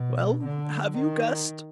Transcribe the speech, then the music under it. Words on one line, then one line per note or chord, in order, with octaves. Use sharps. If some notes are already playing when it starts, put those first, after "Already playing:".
"Well, have you guessed?"
Already playing: B2
D3
D#3